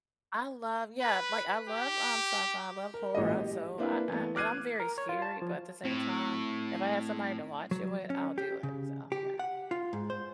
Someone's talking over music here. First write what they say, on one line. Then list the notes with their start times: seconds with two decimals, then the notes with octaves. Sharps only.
I love yeah, like, I love, um, sci-fi, I love horror and so I I and I'm very scary, but at the same time, if I had somebody to watch it with, I'll do it, so yeah.
1.01 B4
1.69 G4
2.94 A#4
3.15 A1 A#2 F#3 G#3 G#4 D#5
3.38 G4
3.78 A#3 C4 D4 E4 B4
4.08 E3 A3 B3
4.36 D6 F6 F#6 G#6 C7 D#7
4.80 A#4
4.98 C#5
5.09 F4
5.22 A5
5.42 F3
5.85 A2 C4
7.71 F#3
8.10 C#4
8.38 G4
8.63 C#3
9.12 G4
9.39 F#5
9.71 F4
9.93 G#2
10.10 C5